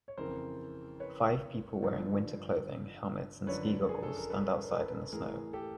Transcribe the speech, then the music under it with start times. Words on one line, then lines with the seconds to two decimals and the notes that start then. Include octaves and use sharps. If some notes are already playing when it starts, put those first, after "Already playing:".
Five people wearing winter clothing, helmets, and ski goggles stand outside in the snow.
0.08 C#5
0.18 F2 C#3 E3 A#4 C5
1.00 B4 C#5
1.82 G2 D3 F3
3.47 F#2 D3 F3 B4 C#5
3.89 G#4
4.03 A4
4.17 A#4
4.30 A4 B4
4.64 A#4
4.71 A4 B4
5.12 A2 E3 G#4 A#4
5.53 G4 A4